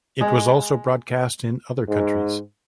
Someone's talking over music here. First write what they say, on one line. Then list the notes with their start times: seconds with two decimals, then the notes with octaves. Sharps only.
It was also broadcast in other countries.
0.21 G#3
1.88 G#2